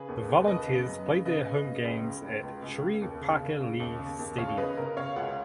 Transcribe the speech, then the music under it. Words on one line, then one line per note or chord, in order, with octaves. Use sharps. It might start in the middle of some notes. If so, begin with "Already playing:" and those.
The Volunteers play their home games at Sherri Parker Lee Stadium.
Already playing: C#3 G#4 B4
D#2
D#2
C#3 B4 D#5
C#3
F#2
C#3
C#3 B4 D#5
C#3
C#3
C#2
C#3
C#2
C#2
C#2
C#3
D#2
C#3
C#3
C#3
D#2
C#3
D#2
C#3 C#5 F5
C#3 B4 D#5
C#3 A#4
C#3 C#5 F5
C#2 F#5
F5